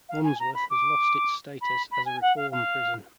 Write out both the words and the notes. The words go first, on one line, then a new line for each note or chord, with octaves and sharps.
Wansworth has lost its status as a reform prison.
F5
G#5
A#5
B5
D6
B5
B5
G#5
F#5
F5
F5